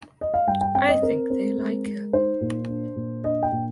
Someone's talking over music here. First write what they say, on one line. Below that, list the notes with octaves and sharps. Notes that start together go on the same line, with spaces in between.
I think they like it.
D#5
F5
G2 G5
G5
C4 G5
D#5
C4 A#4
C4
G#3
G#3
D#4 C5
A#2
D4
A#2
D4 D#5
G5
A#2